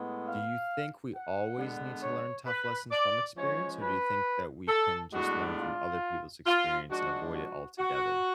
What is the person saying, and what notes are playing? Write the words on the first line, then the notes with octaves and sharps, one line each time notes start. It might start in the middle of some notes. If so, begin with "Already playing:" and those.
do you think we always need to learn tough lessons from experience, or do you think that we can just learn from other people's experience and avoid it altogether?
Already playing: A2 G#3 B3
F5
F#5
D3 G#3 B3 D4
C#5
B4
D5
F3 G#3 C#4 C#5
B4
A4
A2 G#3 B3 D4 F#4
F4
F4
F3 G#3 D4 F#4
F#4
F#4